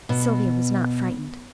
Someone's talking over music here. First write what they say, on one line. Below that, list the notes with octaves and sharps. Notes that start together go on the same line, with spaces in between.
Sylvia was not frightened.
B2